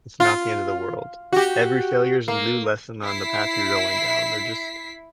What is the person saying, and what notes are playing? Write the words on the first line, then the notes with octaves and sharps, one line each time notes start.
it's not the end of the world. Every failure is a new lesson on the path you're going down. They're just
F4
F#4 G4
A#3
E4 B6 C7